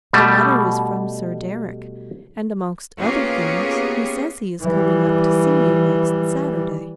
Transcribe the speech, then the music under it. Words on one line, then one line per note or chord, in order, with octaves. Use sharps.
"The letter is from Sir Deryck, and, amongst other things, he says he is coming up to see you next Saturday."
B2 G3 A3
A#3 B3 C#4 F4 G4 G#4
E3 G3